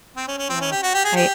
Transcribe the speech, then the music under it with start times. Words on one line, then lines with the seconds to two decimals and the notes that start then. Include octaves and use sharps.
Yeah, I
0.16 C4
0.28 C#4
0.38 C#4
0.50 C4
0.61 C#4
0.71 G4
0.83 F#4
0.94 G4
1.05 G#4
1.16 G4